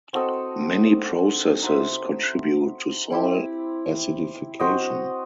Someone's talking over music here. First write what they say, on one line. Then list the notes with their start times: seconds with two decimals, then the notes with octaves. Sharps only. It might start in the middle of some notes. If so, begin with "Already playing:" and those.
Many processes contribute to soil acidification.
0.13 C4 F#4 A4 D#5
1.62 D#4 F#4 C5 E5
3.10 C4 E4 G4
4.60 C4 F#4 C5 D#5